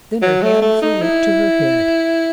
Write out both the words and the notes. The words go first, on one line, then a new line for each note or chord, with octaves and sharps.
Then her hand flew up to her head.
F#3
A3
A3
D#4
E4